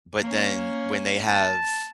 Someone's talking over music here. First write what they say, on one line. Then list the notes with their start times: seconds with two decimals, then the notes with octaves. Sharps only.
but then, when they have
0.20 A#3 C#4
1.27 A5